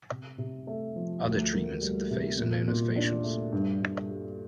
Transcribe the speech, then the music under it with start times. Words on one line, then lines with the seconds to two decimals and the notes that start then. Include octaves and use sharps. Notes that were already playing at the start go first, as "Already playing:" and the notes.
Other treatments of the face are known as facials.
0.11 C3
0.38 C3
0.67 A3
0.96 F3
1.25 D2
1.53 A#3
1.81 G3
2.11 C3
2.38 A#2
2.68 A#2
2.96 D4
3.24 A3
3.53 G2
3.82 G2
4.10 G3